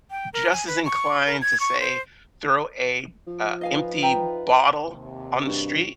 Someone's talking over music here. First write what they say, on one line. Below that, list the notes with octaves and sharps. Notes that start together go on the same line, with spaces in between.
just as inclined to, say, throw a, uh, empty bottle on the street?
G5
A#4
G#5
B4
C#6
A#4
G#6
C#6
C5
F3
D#4 F4 B4 D#5 F5 G#5
E5 G5 A#5
D#2 C3
G2 F#4